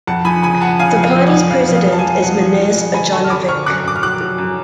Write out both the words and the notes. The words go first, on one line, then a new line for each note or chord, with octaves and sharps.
The party's president is Mirnes Ajanovic.
F2 F#5 A5
F3 G#5 B5
C#3 G#5 B5
F3 F#5 A5
C#3 F5 G#5
F2
F5
F3
D5 F#5
F2
F2 F5
F2
F5
F2
A5
F5 G#5
F2
F2 F#5 A5
F3
F3
F2
D3 G#5 B5
D3 A5 C#6
F6
F#2 B5 D6
D3 C#6 F6
F#2 D6 F#6
F#2 D6
F6
F#3 D6 F#6
F#3
F#2